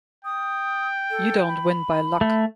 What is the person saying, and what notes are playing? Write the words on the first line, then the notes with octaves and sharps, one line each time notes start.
You don't win by luck.
G5 D#6
A4
B5
A3